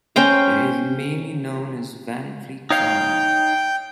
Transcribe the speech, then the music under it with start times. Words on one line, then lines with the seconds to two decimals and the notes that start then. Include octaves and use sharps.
It is mainly known as "Van Fleet Drive".
0.16 C#4 C5 G5 A#5
2.70 D#4 C#5 F5 G5